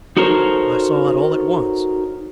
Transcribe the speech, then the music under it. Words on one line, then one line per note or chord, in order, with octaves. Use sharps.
I saw it all at once.
D#4 F#4 A4 A#4 C5 C#5